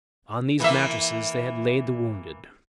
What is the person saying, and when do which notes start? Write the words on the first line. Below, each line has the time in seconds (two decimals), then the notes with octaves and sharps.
On these mattresses they had laid the wounded.
0.60 E3 A#3 E5